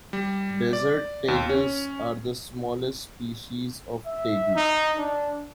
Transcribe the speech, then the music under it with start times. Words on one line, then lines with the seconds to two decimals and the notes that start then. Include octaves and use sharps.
Desert tegus are the smallest species of tegu.
0.13 G3
0.73 D5
1.28 D#2
1.49 C#4
4.06 E5
4.56 D#4
4.98 D4